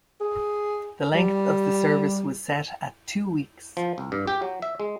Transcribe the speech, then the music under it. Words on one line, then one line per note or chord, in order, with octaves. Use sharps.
The length of the service was set at two weeks.
G#4
G3
F3
C2
G2
G4
F#3
E5
G#3